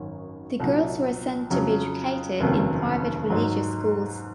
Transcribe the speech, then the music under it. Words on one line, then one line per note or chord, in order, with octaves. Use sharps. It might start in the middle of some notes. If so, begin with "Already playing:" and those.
The girls were sent to be educated in private religious schools.
Already playing: G#1 F#2 D#3 F#3 C#4
C2 A#2 F#3
F2 C#3 F#3
F1 D#2 C#3 F#3 C4
G#2 D#3 F#3